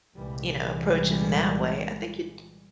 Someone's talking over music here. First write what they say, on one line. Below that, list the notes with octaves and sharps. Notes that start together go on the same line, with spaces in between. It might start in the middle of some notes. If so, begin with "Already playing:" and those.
you know, approach it in that way, I think it
C2 A#2 E3 G3 G#3